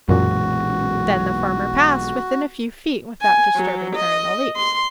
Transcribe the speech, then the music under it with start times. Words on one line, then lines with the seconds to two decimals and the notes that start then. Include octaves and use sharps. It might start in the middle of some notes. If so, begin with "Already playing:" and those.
Then the farmer passed within a few feet without disturbing her in the least.
0.09 B1 F#2 A#2 E3 G#3 F#4
3.22 G#5
3.56 F#3
3.96 D#5
4.56 C6